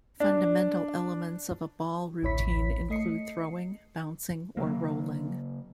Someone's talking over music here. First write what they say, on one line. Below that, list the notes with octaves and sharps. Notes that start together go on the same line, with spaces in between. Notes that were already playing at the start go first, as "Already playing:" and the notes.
Fundamental elements of a ball routine include throwing, bouncing or rolling.
D4
A1 D2 E4 C#5 B5 B6
A3 D#5 C7 C#7
C#3 F#3 A#3